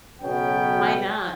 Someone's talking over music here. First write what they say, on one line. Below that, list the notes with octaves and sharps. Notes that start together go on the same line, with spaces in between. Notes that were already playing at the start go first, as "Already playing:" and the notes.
Why not?
B1 C#3 F#3 B3 C#4 G5